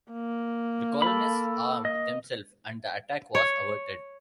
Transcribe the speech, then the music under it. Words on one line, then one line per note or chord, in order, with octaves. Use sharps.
The colonists armed themselves, and the attack was averted.
A#3
A4 B5
D#5
C#5